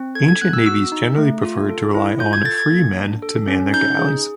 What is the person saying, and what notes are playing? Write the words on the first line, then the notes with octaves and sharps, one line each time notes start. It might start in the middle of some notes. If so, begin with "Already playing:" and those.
Ancient navies generally preferred to rely on free men to man their galleys.
Already playing: C4
A4 G#6
G#6
B3 F#6
E6
F#4 E6
D#4
A3
F4
A4
E4
F4 G6
G#6
A4 A6
G#6
A#3
D4
A4
C#4
D#4 G6
G#4